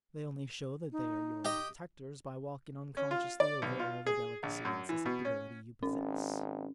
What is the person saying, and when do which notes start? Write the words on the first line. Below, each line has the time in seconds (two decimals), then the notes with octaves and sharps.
They only show that they are your protectors by walking unconsciously over all the delicacy and susceptibility you possess.
0.92 D#4
1.45 G4 D#5
2.97 C#4
3.11 F4
3.40 D5
3.62 B1
3.79 F4
4.06 G#4
4.43 A#1
4.65 F#2
4.89 E3
5.05 B2
5.25 C#4
5.83 G#1 C#4